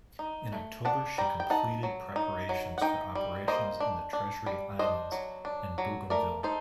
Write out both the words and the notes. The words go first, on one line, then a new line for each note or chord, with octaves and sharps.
In October, she completed preparations for operations in the Treasury Islands and Bougainville.
D#4
A3
D4 F#5 A5
G3 G5 A#5
G5
D#4 F#5 A5
F#3
D#4
F#3
F#5
D#4 D#5 G5
G3
A#3 C5 D#5
D4
D4
G3
D4 C5 D#5
F#3
D4
F#3
A3 A#4 D5
D#4 A4 C5